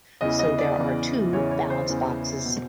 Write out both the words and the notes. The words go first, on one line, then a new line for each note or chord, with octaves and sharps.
So there are two balance boxes.
E2 C#3 E3 D#5
D#5
D5
E2 C#3 E3
E2 C#3 E3 C#5
C#5
C5
E2 C#3 E3
B2